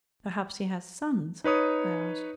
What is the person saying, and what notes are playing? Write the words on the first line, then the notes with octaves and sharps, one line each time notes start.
'Perhaps he has sons?' I asked.
D#4 B4 C#5 D#6